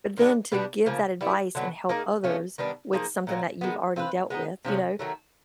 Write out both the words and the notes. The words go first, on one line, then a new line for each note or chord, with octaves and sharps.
b then to give that advice and help others with something that you've already dealt with, you know,
D#3 G#3 B3 D4
B2 G3 B3 D4
C#3 F3 A#3
G3 B3 E4
D3 F#3 B3
A#3 D#4 G#4
F3 A3 C#4 F4
D#3 G3 B3 D4
F3 A#3 D#4 G#4
A#2 F#3 A#3
D#3 G#3 B3
C4 F4 G#4 B4
G#3 B3 D#4
C3 F3 G#3 C#4
D#3 F#3 A3